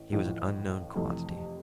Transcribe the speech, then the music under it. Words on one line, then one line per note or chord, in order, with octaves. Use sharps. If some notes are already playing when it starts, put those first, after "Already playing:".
He was an unknown quantity.
Already playing: A1 A2
A1 A2 F3
F2 C3 E3 A3